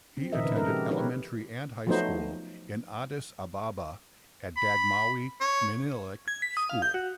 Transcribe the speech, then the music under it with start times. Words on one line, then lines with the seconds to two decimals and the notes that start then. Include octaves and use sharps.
He attended elementary and high school in Addis Ababa at Dagmawi Minilik School.
0.17 C4
0.32 A#2 D#3 F3 A#4 D#5 E5
0.44 C#3 B4
0.56 A#3 A4 A#4
0.68 G#3 F#4 G4
0.90 F3 D#4 G4 A#4 B4 C#5
1.87 F3 F#3 A3 B3 D#4 C5
4.57 B5
5.41 C#5
6.28 G#6
6.42 B6
6.57 D#6
6.69 F5
6.82 G6
6.94 F#4